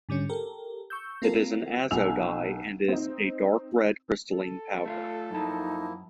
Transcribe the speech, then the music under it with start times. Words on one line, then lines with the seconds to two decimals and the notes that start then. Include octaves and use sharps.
It is an azo dye, and is a dark red crystalline powder.
0.09 G#2 D3 G3 C#4
0.29 G4 A4 A#4
0.90 C#6 E6 G6
1.22 A#3 C4 F4 A4 A#4
1.91 B1 G#5 E6 F7
2.88 C4 D#4
4.33 A4
4.86 A3 E4 F4
5.31 F#2 F3 A#3 D#4 E4 A5